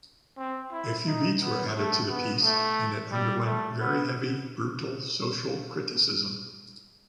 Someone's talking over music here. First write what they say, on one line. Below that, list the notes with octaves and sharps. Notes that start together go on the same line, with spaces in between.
A few beats were added to the piece, and it underwent very heavy, brutal social criticism.
C4
E4
D#4
B3
A3
B3
A3
G3
A3
B3